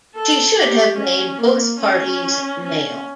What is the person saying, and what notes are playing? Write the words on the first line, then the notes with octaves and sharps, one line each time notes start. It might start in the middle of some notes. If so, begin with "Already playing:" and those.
She should have made both parties male.
A4
G4
C#4
A#3
C#4
C#4